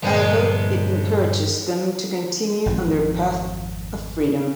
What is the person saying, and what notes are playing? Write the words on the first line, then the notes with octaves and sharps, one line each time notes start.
I hope it encourages them to continue on their path of freedom.
G2 A#2 D3 E3 F3 G#3 B3 C4
G#1 F2 F3